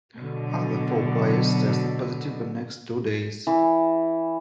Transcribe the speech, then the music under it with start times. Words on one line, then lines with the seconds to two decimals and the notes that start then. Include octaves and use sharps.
Other four players tested positive the next two days.
0.17 B2 D3 F#3
3.47 E3